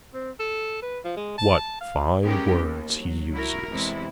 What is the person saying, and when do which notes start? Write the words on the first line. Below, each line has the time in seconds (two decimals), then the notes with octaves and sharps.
"What fine words he uses!"
0.14 C4
0.39 A4
0.82 B4
1.05 F3
1.17 G#3
1.38 A5
1.81 F5
2.24 G#3 B3 C#4 G4 G#4 A#4
2.58 D#2
3.00 F#3
3.34 E4 F#4 A#4
3.72 E2 C3 G#3 E4